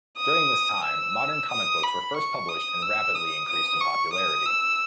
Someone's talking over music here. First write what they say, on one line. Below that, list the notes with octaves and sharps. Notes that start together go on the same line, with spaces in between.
During this time, modern comic books were first published and rapidly increased in popularity.
D#6
E6
D#6
B5
C#6
D#6
E6
D#6
D#6
C#6
D#6
E6